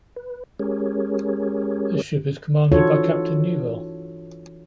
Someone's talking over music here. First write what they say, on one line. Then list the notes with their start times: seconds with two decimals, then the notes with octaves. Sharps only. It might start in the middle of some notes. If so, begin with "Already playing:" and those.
This ship is commanded by Captain Neuville.
0.16 B4
0.59 G#3 C#4 G4 G#4 A#4 C#5
2.72 E3 D4 F4 F#4 A4 C#5